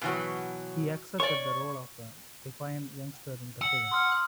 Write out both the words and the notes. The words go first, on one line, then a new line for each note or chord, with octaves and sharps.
He accepted the role of a defiant youngster in the film.
B2 E3 F#3
C#5 D5 C#6
F#5 E6 F#7
C6 D#6 F6